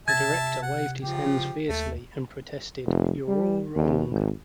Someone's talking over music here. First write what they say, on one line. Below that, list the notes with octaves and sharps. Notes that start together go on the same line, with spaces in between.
The director waved his hands fiercely and protested You're all wrong!
C3 E5 A5 G#6 A6
F#5
C#3 F3 G4
D#2 A3
F1
G3
D#2
G#1